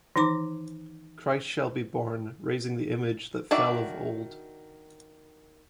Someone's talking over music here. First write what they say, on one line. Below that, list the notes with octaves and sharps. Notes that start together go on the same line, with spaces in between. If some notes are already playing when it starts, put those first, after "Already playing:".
Christ shall be born, raising the image that fell of old.
D#3 E3 D#4 B5 D6
D#3 D4 F#4 D5 E5